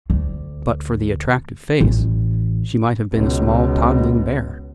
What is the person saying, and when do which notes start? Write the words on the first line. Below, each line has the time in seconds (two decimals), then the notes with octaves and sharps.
But for the attractive face she might have been a small toddling bear.
0.10 D2
1.81 A1
3.13 C#2 B2